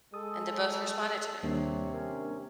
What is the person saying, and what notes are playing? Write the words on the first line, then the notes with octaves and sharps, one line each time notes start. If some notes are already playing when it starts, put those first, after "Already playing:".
and they both responded to me
G#3 A4 D#6
D#2 C3 D#3 G3 A#3 D4 C#5 C7
C#4 A#4